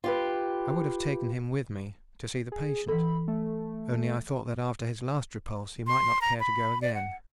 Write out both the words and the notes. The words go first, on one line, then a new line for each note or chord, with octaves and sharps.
I would have taken him with me to see the patient, only I thought that after his last repulse he might not care to go again.
F4 G4 B4
G#4
E3 A4 B5
A3
C6
A#5
B5
D5
F#5